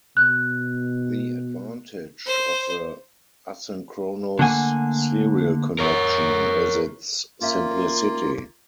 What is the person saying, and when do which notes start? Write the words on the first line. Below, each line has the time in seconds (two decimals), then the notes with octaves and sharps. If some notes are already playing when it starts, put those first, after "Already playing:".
The advantage of the asynchronous serial connection is its simplicity.
0.17 B2 F#6
2.27 C5
4.39 D3 A3 A#3 F#5 G#5
5.79 A#4 C#5
7.41 A#3 C#4 F4 D5 E5